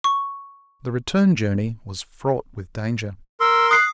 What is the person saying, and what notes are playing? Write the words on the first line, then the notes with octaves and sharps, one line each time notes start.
The return journey was fraught with danger.
C#6
A#4 C6 E6
D#6 F#6 C7